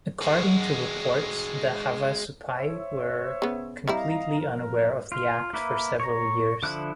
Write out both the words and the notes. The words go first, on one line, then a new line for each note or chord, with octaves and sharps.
According to reports, the Havasupai were completely unaware of the act for several years.
G#3 F#4
C5 C#5 E5
C#3 B3
G3 C4 E4 D#5 F5 A#5
F3 A#4
F4
A#3 E4 B4
C#5 A#5
D3 F3 E4 F#6